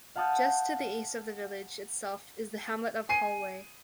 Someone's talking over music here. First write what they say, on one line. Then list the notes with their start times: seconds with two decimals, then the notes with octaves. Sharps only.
Just to the east of the village itself is the hamlet of Holway.
0.16 F5 F#5 A5 D#6 F6 G6
3.09 G#5 C7 D#7